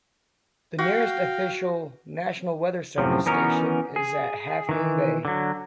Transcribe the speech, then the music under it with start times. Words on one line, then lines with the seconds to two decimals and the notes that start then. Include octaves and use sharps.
The nearest official National Weather Service station is at Half Moon Bay.
0.79 F#4 F5 G5
2.98 F#2 A2 C3 F3
3.26 E3 B3 C#4 D#4 F#4 A#4
3.96 G#4
4.69 D#3 E3
5.25 D3 F#3